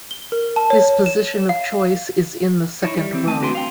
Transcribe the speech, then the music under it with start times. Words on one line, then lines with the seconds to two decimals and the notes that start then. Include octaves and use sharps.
His position of choice is in the second row.
0.11 G7
0.32 A#4
0.56 A5
0.70 C#5
1.06 E7
1.49 F5
2.82 D#4 E4 C#5
2.95 G3
3.13 E3 C4
3.27 A3 G#5 A5
3.40 C4 D4 F#4 B4 G5 C6
3.55 F5 G5